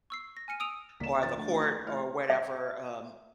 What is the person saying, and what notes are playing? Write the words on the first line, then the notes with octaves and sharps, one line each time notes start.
or the court or whatever, um,
C#6 E6 C7
A#6
G#5 F6 C#7 D#7
D#6 E6 D7 D#7 F7
C#2 C#3 A#3 D5 B6 E7
A#1 A6
D2
A2 F3 F6
E5